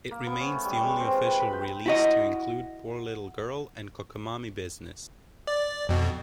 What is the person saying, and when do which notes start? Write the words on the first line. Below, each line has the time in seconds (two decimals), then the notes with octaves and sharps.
It remains the only official release to include "Poor Little Girl" and "Cockamamie Business".
0.11 A#3
0.27 B3
0.40 C#4
0.53 A3
0.65 G3
0.83 G#3
1.00 C4
1.14 F4
1.26 B4
1.40 B5
1.53 G5
1.86 E4 F#4 D#5
5.47 D5
5.89 F2 B2